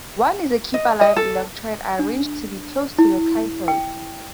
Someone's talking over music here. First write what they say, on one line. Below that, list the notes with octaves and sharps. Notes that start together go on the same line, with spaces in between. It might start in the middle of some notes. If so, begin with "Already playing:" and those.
One is a keep-alive electrode, arranged to be close to the cathode.
D#5
D#5
A4
D4
E4
G5